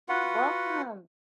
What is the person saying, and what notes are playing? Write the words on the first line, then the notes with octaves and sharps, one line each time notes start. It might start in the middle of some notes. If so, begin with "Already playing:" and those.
You're welcome.
F4 F#4 B4 F#5